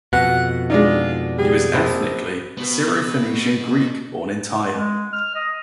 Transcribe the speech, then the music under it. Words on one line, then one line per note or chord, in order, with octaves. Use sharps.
He was ethnically a Syro-Phoenician Greek born in Tyre.
F2 B2 F#5
G#3 D4 D#4 F4
G3 G#4
A#1 C4
B2 B3
G#3
F6
D#5